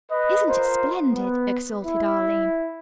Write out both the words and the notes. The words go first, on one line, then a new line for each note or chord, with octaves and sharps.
"Isn't it splendid!" exulted Arline.
B4 D#5
F4 A#4 C5
B3
E4